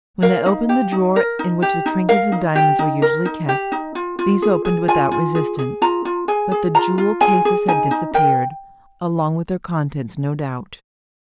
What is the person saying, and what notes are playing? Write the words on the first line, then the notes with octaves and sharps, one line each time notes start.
When I opened the drawer in which the trinkets and diamonds were usually kept, these opened without resistance, but the jewel cases had disappeared, along with their contents no doubt.
A#4 F5
D#4
G4
D#4
A#4
D#4
G4
D#4
A#4 F5
D#4
G4 G5
D#4
A#4
D#4
G4
D#4
F4
F4
G#4
G#4
F4 G#5
F4
G#4
G#4
F4 A#5
F4
G#4 G#5
G#4
F4 A#5
F4
G#4 G#5
G#4
D#4 G#5
D#4
A#4 G5